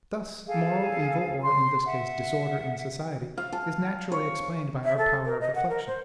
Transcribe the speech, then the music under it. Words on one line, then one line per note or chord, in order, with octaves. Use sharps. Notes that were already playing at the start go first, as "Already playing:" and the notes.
Thus, moral evil, or, in this case, disorder in society, is naturally explained by our power of reflection.
G#4 A4 F5
C6
E5 F#5
F5
A5
C#5
E5
A4
A#4
D#5
F#5
A#4
C5